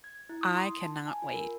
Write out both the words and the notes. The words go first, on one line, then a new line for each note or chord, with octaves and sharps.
I cannot wait.
G#6
E4
D#6
C6
A5
G#5
F4
A#4